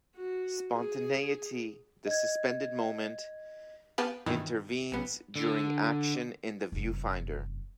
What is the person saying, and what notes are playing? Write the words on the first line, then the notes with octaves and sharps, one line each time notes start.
Spontaneity - the suspended moment - intervenes during action, in the viewfinder.
F#4
G#4
D#5 G#6
B3 G4 B4 F5 G#5 A5
G2 B2 D#3 E3 E4
B1 B3
D3
F1 F#2